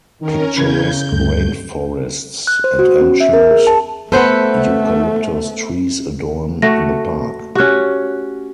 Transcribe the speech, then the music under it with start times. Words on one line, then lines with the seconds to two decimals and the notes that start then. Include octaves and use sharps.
Picturesque rain forests and ancient eucalyptus trees adorn the park.
0.21 D#3 C#4 A#4
0.57 C#3 E3 B4 G6 G#6
1.12 D2 G2 A3
2.47 F#6
2.64 C5
2.79 F#4
3.01 C#4
3.20 E5
3.33 A#4
3.51 G#4
3.67 A5
4.12 A3 B3 A4 B4 C5 F#5
6.62 A3 F#4 A#6
7.55 C#4 F#4 G4 F#6